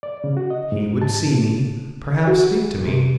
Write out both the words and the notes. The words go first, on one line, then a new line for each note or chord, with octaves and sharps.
He would see me, perhaps speak to me!
D5
C#3
F#4
D#5
G#2
A5
F#4
C3